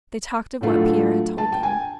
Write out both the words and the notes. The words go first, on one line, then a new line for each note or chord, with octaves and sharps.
They talked of what Pierre had told them.
A2 F#3 A3 D4 F4
A5
G5
G#5